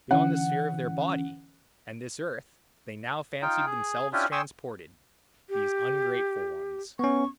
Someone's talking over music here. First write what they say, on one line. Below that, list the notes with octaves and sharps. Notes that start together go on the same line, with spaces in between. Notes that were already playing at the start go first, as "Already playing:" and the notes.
Beyond the sphere of their body and this earth they now fancied themselves transported, these ungrateful ones.
D3 E3 C#4 F#5
D#4 F4 G5
G#4
C#4 D4 E4 F4 G4
G5 G#5 C6 C#6 D#6 E6
G4
B3 C#4 C#6